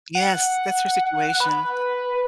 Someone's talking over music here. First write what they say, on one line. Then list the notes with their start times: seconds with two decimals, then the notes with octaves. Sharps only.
Yes, that's your situation.
0.15 F#5
1.40 B4